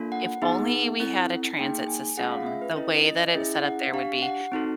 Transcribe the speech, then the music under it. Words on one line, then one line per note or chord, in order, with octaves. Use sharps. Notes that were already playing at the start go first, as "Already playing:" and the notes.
if only we had a transit system, the way that it's set up there would be
Already playing: A#3 D4 F4 A4
F#5
B3 D#4 G#4
C4 E4 A4
A#3 D#4 G#4 G5
G#5
A3 C#4 F4 G#4 F#5
F5
E5
B4
C#4 E4 A4 D#5
D#5
C#4 E4 G#4 E5
F#5
D4 G4 F5
F#5
C4 D#4 F#4 A4